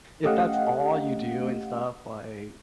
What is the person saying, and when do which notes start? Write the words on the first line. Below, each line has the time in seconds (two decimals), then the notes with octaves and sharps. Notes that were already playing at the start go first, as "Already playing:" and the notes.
if that's all you do and stuff, like,
0.24 A3 C#4 G4 D#5 F5 F#5